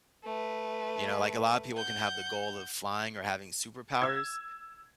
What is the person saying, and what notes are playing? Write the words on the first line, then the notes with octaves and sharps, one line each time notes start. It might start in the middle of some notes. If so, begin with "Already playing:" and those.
You know, like, a lot of people can have the goal of flying or having superpowers,
A3 B4
F#5 G6
E6 G#6